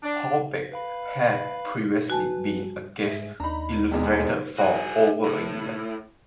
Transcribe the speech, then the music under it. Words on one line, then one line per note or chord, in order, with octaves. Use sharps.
Hallbeck had previously been a guest illustrator for over a year.
D4
B4 F5 B5
F#4 B4 G#5 A5
G#2 G#4 E5
D#2 D4 D#4 A#5 B5
A#1 E2 B2 G#3
F#4 G#4
A2